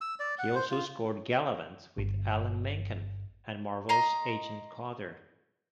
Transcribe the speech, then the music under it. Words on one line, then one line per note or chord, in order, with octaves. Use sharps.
He also scored "Galavant" with Alan Menken and Marvel's "Agent Carter".
E6
D5
F#5
C5
F4
G1
D#5 A#5 C6